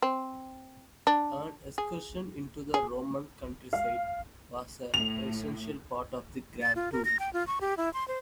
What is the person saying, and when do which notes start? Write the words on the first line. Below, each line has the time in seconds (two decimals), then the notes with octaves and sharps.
An excursion into the Roman countryside was an essential part of the Grand Tour.
0.02 C4
1.07 D4
1.78 G#4
2.74 G#4
3.73 F5
4.94 A2 F7
6.62 A6
6.76 F4
6.92 A#4
7.05 A#6
7.19 G5
7.33 F4
7.47 C#6
7.61 G4
7.77 E4
7.94 C6
8.08 C5